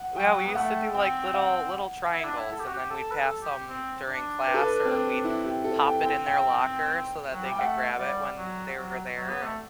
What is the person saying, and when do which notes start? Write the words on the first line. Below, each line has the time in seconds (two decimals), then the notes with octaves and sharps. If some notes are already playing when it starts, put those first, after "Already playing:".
Well, we used to do like little little triangles, and then we'd pass 'em during class or we'd pop it in their locker so that they could grab it when they were there, and
Already playing: F#5
0.16 F#3 G5
0.46 B3
0.55 A3 F#5
0.94 C4 G5
1.34 F#5
2.13 E4
2.24 D4
2.37 E4
2.52 A4
2.60 G4
2.68 F#4
2.75 G4
2.90 A4
3.12 B4
3.17 A4
3.42 G4
3.68 C4
4.08 D4
4.47 B4
4.54 A4
4.63 B4
4.85 C4
5.24 E4
5.45 G4
5.64 A4
5.83 G5
6.03 C4 G5
6.27 G5
7.32 F#3
7.46 G3
7.51 G5
7.59 A3 F#5
7.98 G3 D5
8.37 F#3
8.77 F#3
9.16 F#3
9.29 B3
9.42 A3